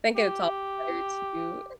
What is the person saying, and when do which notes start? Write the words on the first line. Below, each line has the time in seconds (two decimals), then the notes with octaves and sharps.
I think it's all better to
0.16 G4